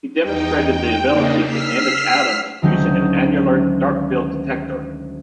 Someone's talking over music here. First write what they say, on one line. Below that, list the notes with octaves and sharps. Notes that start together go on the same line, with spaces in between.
He demonstrated the ability to image atoms using an annular dark field detector.
E2 D#4 G5
G5
C#3 A#3 D4 D#4
E6 F6 B6 C7
D2 D#3 F#3 G#3 C#4 G6